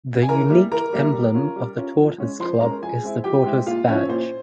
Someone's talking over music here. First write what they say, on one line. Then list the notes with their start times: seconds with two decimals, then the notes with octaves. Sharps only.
The unique emblem of the Tortoise Club is the tortoise badge.
0.22 G#5
0.29 E3 A#4 A#5
0.50 G3 A#3 E4
0.72 E3 A#4 A#5
0.93 G3 A#3 E4
1.13 G3
1.35 C#4 F4
1.56 G3
1.77 C#4 F4
1.98 F3
2.18 G#3 C#4
2.39 F3 C5 C6
2.61 G#3 C#4 A#4 A#5
2.82 F3 G#4 G#5
3.04 G#3 C4 E4
3.24 F3 G4 G5
3.45 G#3 C4 E4
3.66 A#2 F4 F5
3.88 F3 C4 C#4 E4 C#5
4.08 A#2 C5